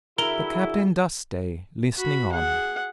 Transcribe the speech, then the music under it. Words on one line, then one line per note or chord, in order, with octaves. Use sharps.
The Captain does stay, listening on.
D3 E4 F#4 G#4 A#4 G7
F#4 B5
G#4 F#5